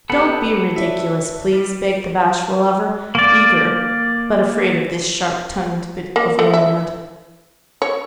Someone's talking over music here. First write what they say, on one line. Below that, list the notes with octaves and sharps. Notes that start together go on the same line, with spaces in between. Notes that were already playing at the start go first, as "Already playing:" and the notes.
Don't be ridiculous, please,' begged the bashful lover, eager, but afraid of this sharp-tongued bit of womanhood.
B3 G4 A4 F#5 B5
E4 C#5 D5 E5
G3
A#3 D5
A#3
A3
E5
C#5